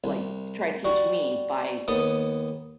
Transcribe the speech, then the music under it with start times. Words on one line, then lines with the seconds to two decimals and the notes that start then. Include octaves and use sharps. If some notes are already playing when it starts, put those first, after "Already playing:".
like to try to teach me by
0.04 C2
0.85 G3 F#4
1.88 D#2 B3 A4 D#6